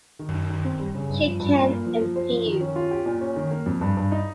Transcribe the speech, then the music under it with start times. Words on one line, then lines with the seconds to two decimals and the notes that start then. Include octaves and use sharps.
She can appeal.
0.19 D#3
0.34 D#4
0.50 D#3
0.65 C4
0.80 G3
0.95 C#3
1.10 G2
1.25 F3
1.40 G2
1.55 A#2
1.70 A#3
1.86 F3
2.00 F3
2.16 C5
2.31 F3
2.46 D#3
2.61 C#4
2.76 F4
2.91 G4
3.06 A#2
3.21 C#4
3.36 D#3
3.51 A#3
3.66 F2
3.81 G2
3.97 G2
4.12 D#4